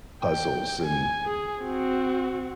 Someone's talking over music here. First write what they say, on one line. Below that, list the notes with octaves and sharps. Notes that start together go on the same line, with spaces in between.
puzzles and
G5
G#5
G#4
C4 F#4